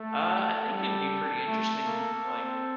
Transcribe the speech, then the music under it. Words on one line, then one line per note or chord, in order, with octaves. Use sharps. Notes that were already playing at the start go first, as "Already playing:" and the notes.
Uh, I think it would be pretty interesting, like,
Already playing: A3 A4
G3
A3
A#3
C4